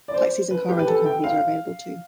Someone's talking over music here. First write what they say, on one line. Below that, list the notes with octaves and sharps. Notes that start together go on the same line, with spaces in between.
Taxis and car rental companies are available, too.
D5
C5
B4
G4
B4
A4
G5
F5